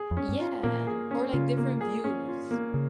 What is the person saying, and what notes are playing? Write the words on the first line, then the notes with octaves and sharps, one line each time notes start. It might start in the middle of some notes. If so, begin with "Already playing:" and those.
Yeah, or, like, different views.
Already playing: G#4
F2
C#4
G2
F4
A#2 A#3
G#4
C#4
C#3 F4
A#3
G#4
C#4
F4
A#3
C#3